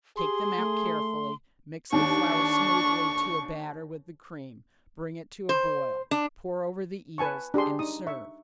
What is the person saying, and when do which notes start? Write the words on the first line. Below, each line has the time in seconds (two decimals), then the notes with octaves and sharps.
Take them out carefully, mix the flour smoothly to a batter with the cream, bring it to a boil, pour over the eels, and serve.
0.17 G4 G#4 C6
0.57 A3
1.93 D#2 D4 C#6
5.49 C5
6.11 D4
7.18 B4 G#5 A5 C#6
7.54 D4 G4 G#4 C6
7.79 D#4 D#6
8.07 E5 C#6